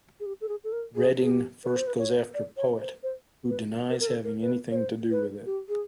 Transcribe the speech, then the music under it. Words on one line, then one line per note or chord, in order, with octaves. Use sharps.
Redding first goes after Poet, who denies having anything to do with it.
G#4
G4
A4
G#4
A4
A#4
G#4
G#4
G4
B4
C5
B4
C#5
D5
C#5
C5
C5
B4
A#4
A#4
A4
A#4
B4
C#5
C5
B4
G4
G#4